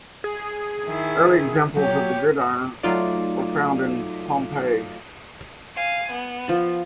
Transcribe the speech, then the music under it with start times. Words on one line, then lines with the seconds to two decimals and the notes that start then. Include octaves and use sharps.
Early examples of the gridiron were found in Pompeii.
0.24 G#4
0.84 D#3 E4
1.77 F#3 G4 C#5
2.83 F#3 A3 D#4 F4 D5
5.75 F5 G#5
6.11 B3
6.48 F3 A5